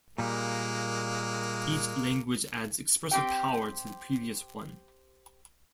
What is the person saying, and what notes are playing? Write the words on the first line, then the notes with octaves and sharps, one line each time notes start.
Each language adds expressive power to the previous one.
A#2 G3 G#3 A#3
C4 G4 G5